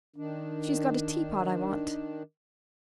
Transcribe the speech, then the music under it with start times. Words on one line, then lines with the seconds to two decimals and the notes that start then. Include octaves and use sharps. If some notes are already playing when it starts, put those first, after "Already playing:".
She's got a teapot I want.
0.16 D#3 D4